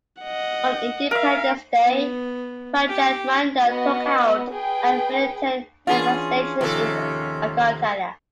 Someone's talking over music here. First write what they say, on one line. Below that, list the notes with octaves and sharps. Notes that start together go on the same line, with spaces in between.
On Independence Day Prajamandal took out a militant manifestation in Agartala.
D#5 F#5
A#4 E5 F5
B3
G4
B3 F#4 D#5
G#4 B4 G5
E3 C#4 D4 F4 G#4
D#2 C3 F3 A4